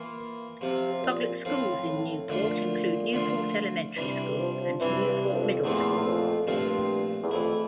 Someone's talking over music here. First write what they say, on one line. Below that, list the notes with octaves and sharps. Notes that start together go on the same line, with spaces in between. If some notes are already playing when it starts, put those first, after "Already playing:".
Public schools in Newport include Newport Elementary School and Newport Middle School.
Already playing: E3 A#3 F4
C3 F3 C4 F4
C3
A#2
A2 F3 C4 F4
A2
A#2 D3 F3 A3 D4 F4
D3 F3 A3 D4 F4
C3 E3 G3 D4
F3
F3
C3 E3 G3 D4
G2
G2
F2
E2 A#2 F3 A3 C4 F4
E2
F2
G2 A#2 F3 A3 C4 F4
E2
F2 E3 A3 E4